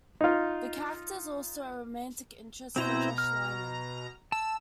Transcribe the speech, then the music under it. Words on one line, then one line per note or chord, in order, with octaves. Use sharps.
The character is also a romantic interest for Josh Lyman.
D#4 F4
B2 C4 E4 C5 A#5
F6
A5 E6